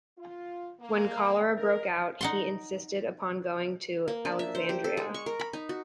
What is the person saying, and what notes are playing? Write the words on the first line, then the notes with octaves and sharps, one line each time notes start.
When cholera broke out, he insisted upon going to Alexandria.
F4
A#3
A#4
D#4 F#5 C6
A#3
D4
E5
C5
G4
A4
G#3
C#6
A#4
B5
D#4
F#4